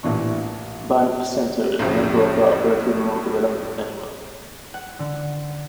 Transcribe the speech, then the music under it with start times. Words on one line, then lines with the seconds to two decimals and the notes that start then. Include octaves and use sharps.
Banff Centre is a member of the Alberta Rural Development Network.
0.03 A1 A#2 E3 D4 C#6
1.79 B1 F2 A2 C#3 F3 F#3
4.74 F#5
4.99 D3